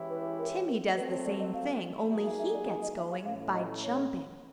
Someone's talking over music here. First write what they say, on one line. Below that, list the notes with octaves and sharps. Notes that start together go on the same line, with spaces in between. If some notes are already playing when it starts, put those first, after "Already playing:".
Timmy does the same thing, only he gets going by jumping.
Already playing: E3 G#3 C#4 E4 G4
B4
A#4
A#4
F#3 A3 C4 B4
C#5
D5
D#5
F5
F#3 A#3 D#4 G#4 E5
E5
E5
D5
D#5
D#5
E5
F5
A2 E3 A3 C#4 F5
D#5
C#5